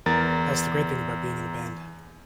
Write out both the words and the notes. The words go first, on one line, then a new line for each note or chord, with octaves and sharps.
That's the great thing about being in a band.
E2 A#4 A6